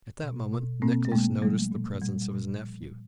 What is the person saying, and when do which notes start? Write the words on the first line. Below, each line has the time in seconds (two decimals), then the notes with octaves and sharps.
At that moment Nicholas noticed the presence of his nephew.
0.23 B2
0.53 B2
0.82 B2 A#3 C4
1.05 A3
1.12 B2 G#3 A#3
1.42 F3 G3 A3
1.72 A#2
2.02 A#2 G3
2.22 G3
2.31 A#2
2.61 F3
2.92 A#2